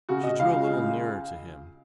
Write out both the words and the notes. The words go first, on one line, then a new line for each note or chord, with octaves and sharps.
She drew a little nearer to him.
C#3 F#4
D#5
C#2 F5
C#3